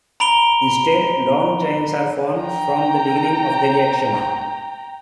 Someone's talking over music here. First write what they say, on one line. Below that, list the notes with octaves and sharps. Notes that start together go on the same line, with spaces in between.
Instead long chains are formed from the beginning of the reaction.
A#5 B5 D7 F7 G7
G5 A#5